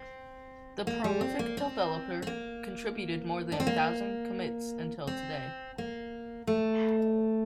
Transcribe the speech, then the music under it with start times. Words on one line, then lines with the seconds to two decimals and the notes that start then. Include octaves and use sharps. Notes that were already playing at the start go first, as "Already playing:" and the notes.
The prolific developer contributed more than a thousand commits until today.
Already playing: C4
0.87 A#3
1.04 G3
1.21 C4
1.39 A#3
1.57 C4
2.22 C4
2.27 A#3
3.52 D4
3.60 C4
3.67 A#3
5.07 C4
5.78 A#3
6.47 A3